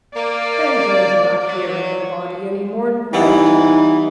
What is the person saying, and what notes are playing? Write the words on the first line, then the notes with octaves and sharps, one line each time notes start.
"Ben Gunn's not here in the body any more'n Flint."
A#3 D5
F#3
E3 G3 B3 D#4 E4